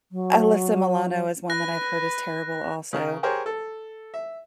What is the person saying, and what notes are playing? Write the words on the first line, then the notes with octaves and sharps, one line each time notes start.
Alyssa Milano is one that I've heard is terrible, also,
F#3
B4 F#6 A#6
C#3 A#4
G4 G#4 A#4 C5 C#5
A4
E5